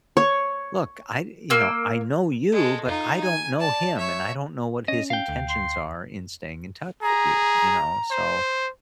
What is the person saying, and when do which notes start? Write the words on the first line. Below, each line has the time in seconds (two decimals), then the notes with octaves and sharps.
"Look, I you know, I know you, but I don't know him, and I don't know what his intentions are in staying in touch with you, you know, so,
0.17 C#5
1.50 A#3 E6
2.52 G#3 A4
2.85 D#4 F4
3.23 G#5
3.59 D5 A5
3.98 C#5 E5
4.88 C#4 D#5
5.10 F5 G5
5.28 D2
5.50 C6
7.02 G#4 A#5
8.11 C5